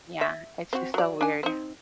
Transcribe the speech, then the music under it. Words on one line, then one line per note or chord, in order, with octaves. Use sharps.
Yeah, it's just so weird.
E5
C4 F#4
F#3 D5
D4 G#5
C4 D#4